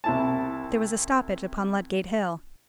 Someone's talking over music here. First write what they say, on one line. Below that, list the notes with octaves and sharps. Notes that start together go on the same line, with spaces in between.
There was a stoppage upon Ludgate Hill.
C2 E4 A5